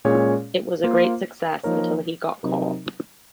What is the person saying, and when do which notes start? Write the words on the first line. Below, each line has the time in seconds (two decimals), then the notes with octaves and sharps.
It was a great success until he got caught.
0.05 A#2 G#3 C#4 G#4 C#5
0.84 A#3 F4 C5
1.63 F3 A#3 D#4 A#4 C#5
2.43 C3 F#3 C4 D#4 A#4